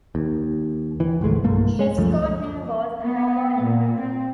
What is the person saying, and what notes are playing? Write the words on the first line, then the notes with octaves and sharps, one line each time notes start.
His code name was "Narbonne".
D#2
E3
G1 C2 G#3 A3
B1 G2 A3 A#3
G#3
C#2 F#2 F3 A3
B3
A#2
C4